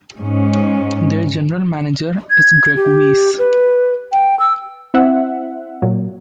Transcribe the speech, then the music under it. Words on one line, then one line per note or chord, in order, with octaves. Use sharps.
Their general manager is Greg Weis.
G#2 C#4
G#6
G4
B4
G5
E6
C4 E4 E5 F#5
A#2 F#3